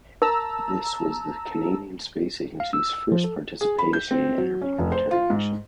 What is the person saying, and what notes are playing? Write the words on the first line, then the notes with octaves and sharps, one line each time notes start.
This was the Canadian Space Agency's first participation in an interplanetary mission.
A#4 A5 A#5 E6
F5
E6
F3
A4
G#4
B5
G6
C4
F#3
C#4
F1
C5
F4
G#2